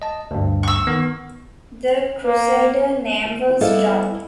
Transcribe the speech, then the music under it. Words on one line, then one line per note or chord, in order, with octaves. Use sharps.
The Crusader name was dropped.
D#5 A5
D2 G2
C#6 E6
D#3 B3
A#3
G3 B3 E4 A4 D#5 F5